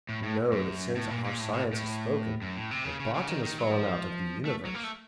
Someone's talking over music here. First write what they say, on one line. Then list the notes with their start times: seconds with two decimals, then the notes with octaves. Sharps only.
You know that since our science has spoken, the bottom has fallen out of the Universe.
0.09 A2
0.23 A2
0.52 F#2
0.95 A2
1.11 A#2
1.25 A#2
1.39 A2
1.53 A2
1.73 A2
2.42 F#2
2.56 A2
2.71 C3
2.84 C#3
3.00 C#3
3.14 C#3
3.28 D#3
3.43 D#3
3.58 F#3
3.72 F3
4.45 A3
4.65 F#3
4.75 A#3
4.84 A3